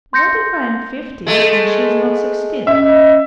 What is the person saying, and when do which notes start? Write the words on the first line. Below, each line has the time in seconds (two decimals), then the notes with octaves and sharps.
What if I am fifty and she is not sixteen?
0.13 C6 G6 A#6 C#7
1.27 G#3 A3
2.67 C#4 D#5 E5